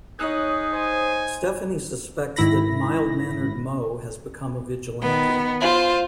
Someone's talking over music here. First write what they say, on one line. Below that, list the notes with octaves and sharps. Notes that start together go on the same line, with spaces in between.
Stephanie suspects that mild-mannered Mo has become a vigilante.
D#4 G#4 C#5 D#6 F#6
C5 G#5
G#2 D#3 E4 B5 A#6
D#3 B3
F4 C5